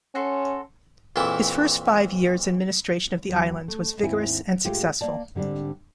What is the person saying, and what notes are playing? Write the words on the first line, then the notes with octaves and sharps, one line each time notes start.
His first five years' administration of the islands was vigorous and successful.
C#4 F#4 A4 C6
A#1 F2 A#2 E3 E4
D#2 F#3
A3
D#2 G#2 C4 E4 G#5
G#2 G#3 A3 F4 G4
A#3 D5 A5
G#2 D3 G3 C4 D4